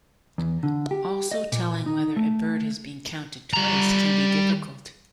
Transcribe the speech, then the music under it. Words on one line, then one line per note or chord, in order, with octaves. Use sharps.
Also, telling whether a bird has been counted twice can be difficult.
E2
D3
G4
D#5
A#2
D#4
A3
G3 A#5